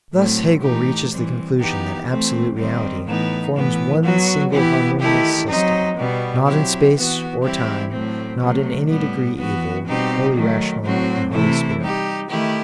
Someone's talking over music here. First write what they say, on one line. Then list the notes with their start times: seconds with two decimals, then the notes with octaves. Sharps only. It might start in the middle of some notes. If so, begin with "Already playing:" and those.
Thus Hegel reaches the conclusion that Absolute Reality forms one single harmonious system, not in space or time, not in any degree evil, wholly rational, and wholly spiritual.
0.14 A2 F#3 A3 C4
0.62 A2 E3 A3 D#4 G4
1.11 E3 G3 C4
1.59 E3 B3 D#4 G4
2.08 E3 A3 C4
2.57 D#3 G3 C4
3.05 A2 E3 B3 D#4
3.54 A2 E3 B3
4.02 F#3 B3 F#4
4.51 E3 B3 E4 G4
5.00 D#3 A3 E4 G4
5.48 F#3 C4 D#4
5.97 B2 G3 B3
6.46 F#3 C4 E4 G4
6.94 E3 B3 F#4
7.43 E3 G3 C4 E4 G4
7.92 A2 F#3 A3 C4
8.40 C3 F#3 A3
8.89 A2 G3 B3
9.37 E3 B3 F#4
9.86 B2 G3 C4 D#4 G4
10.34 D#3 F#3 A3
10.83 A2 F#3 C4 F#4
11.31 C3 E3 A3 E4
11.80 G3 D#4 G4
12.29 D#3 A3 E4 G4